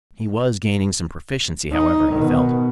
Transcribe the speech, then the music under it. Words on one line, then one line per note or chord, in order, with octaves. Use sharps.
He was gaining some proficiency, however, he felt.
D#4
B2 D#3